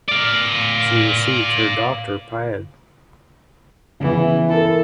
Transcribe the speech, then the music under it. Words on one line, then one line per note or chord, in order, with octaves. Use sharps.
She received her Doctor paed.
D5 F5
C#3 E3 B3
E4 A4 A#4